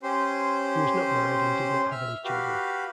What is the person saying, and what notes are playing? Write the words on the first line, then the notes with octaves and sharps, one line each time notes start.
He was not married and did not have any children.
C#4 G4 C5 C6
E5 F6
F#4 G4 B4 F5